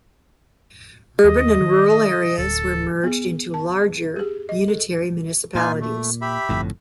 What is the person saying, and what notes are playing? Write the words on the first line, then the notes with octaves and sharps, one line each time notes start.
Urban and rural areas were merged into larger unitary municipalities.
D#2 D#5
D#3
D1 A4
B3 G#4
A5
G4 G#4
D#5
A4
A#2 D#4 F4 G#5
A3
G4 E5 B5
G1 F2 A2